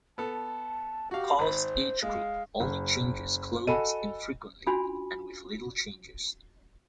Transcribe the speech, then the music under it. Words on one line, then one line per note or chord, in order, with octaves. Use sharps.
Carl's age group only changes clothes infrequently and with little changes.
B3 A4 A5
F#4 G4 F5
G#1 C5 B5
G#3 F5
F#1
F#4 A4 D#5 G#5 B5 D#7
C#4 D4 F4 F#4 G#5 B5